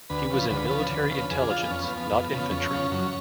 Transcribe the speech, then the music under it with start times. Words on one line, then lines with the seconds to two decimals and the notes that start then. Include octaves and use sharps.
He was in military intelligence, not infantry.
0.10 D2 B4
0.30 C#3 F3
0.50 D2 B4
0.70 C#3 F3
0.90 D2
1.10 C#3 F3
1.30 F2 G#4
1.42 D4
1.50 F3 F4
1.63 B3
1.71 F2 C#4
1.83 B3
1.91 F3
1.98 B3
2.11 F2
2.31 C#3 F3
2.51 F2 C#4
2.71 C#3 F3
2.91 F#2